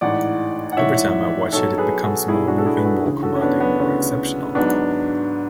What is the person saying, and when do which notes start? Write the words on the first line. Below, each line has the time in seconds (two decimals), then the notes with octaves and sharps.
Every time I watch it, it becomes more moving, more commanding, more exceptional.
0.01 A1 G#2 E3 D5 F#5
0.72 F#5
0.77 A1 G#2 E3 C#5 E5
1.53 B1 B2 F#3 A4 C#5
1.78 G#4 B4
2.03 F#4 A4
2.28 B1 B2 F#3 E4 G#4
2.47 D4 F#4
2.58 A4
2.66 E4 G#4
2.77 B4
2.85 F#4 A4
3.04 D2 C#3 E3
3.23 F#4 A4
3.35 C#4
3.41 B3 D4
3.60 B3
3.79 D2 C#3 E3 C#4
4.55 G#1 G#2 F#3 B3 D4